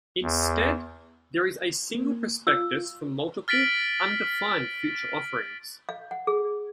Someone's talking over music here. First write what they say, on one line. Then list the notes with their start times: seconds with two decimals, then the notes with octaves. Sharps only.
Instead, there is a single prospectus for multiple, undefined future offerings.
0.22 E2
1.95 A#3
2.47 F4 E6
3.48 F6 A6 B6 D7 F#7
5.89 F5
6.11 F#5
6.27 G#4